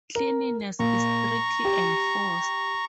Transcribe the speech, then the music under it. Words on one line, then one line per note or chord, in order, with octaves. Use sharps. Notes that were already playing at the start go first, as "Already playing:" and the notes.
Cleanliness is strictly enforced.
A#4
A#2 A#5 C#6
G4